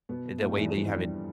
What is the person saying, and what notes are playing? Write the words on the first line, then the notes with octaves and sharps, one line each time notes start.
The way that you have it
B2 B3
A2 A3
G2 G3
E2 E3
F2 F3
E2 E3
G2 G3